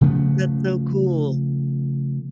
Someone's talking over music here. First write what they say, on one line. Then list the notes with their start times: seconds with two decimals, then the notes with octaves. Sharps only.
That's so cool.
0.01 C#3 F3 A3 B3